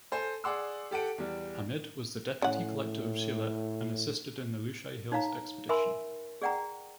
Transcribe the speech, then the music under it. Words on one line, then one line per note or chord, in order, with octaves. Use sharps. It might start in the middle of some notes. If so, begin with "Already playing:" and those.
Hamid was the Deputy Collector of Sylhet and assisted in the Lushai Hills expedition.
A4 C5 G#5
G#4 D5 F#5 C6 D6 E6
G4 A4 F#5 D7
E2 G3
A2 C#4 F#5
D#4 C#5 F5 A#5
A#4 E5 G#5 B5 C6
G#4 D5 F#5 G5 A#5